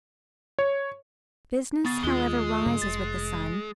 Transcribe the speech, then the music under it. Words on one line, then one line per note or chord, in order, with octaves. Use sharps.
Business, however, rises with the sun.
C#5
C#3 B3 A6
D#2 G#3 F4 G7
G2 C#3 A#3
F1 A6